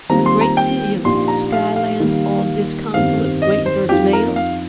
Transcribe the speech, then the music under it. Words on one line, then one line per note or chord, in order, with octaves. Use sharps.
And the great city of Skyland, all disconsolate, waiting for its mail?
D#2 D#3 G3 C4 F4 A#5
C6
A#5
G5
A#1 A#2 F3 D#4 G4 C6
A#5
F5
F5
D#2 D#3 G3
G1 F2 D#3 C4 G4 F5
D#5
C5
F2 F3 D#4 G4
A#4
F5